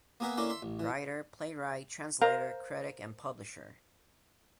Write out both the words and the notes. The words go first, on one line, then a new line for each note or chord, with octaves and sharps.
Writer, playwright, translator, critic, and publisher.
A#3 B3 G#4 A#4 B4 E5
A#3 C#4 D4 E4 A4 A#4
E5 C6
A1
E3
A#4 C5 F5 A#5